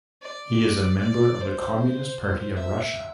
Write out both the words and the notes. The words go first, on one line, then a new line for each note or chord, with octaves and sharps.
He is a member of the Communist Party of Russia.
D5
D5
C5
C5
E5